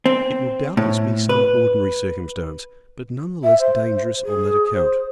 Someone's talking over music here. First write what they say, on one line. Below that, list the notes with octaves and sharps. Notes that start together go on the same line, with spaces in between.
It will doubtless be some ordinary circumstance; but none the less dangerous on that account.
C4
A2
B4
E5
C5
G#4
C5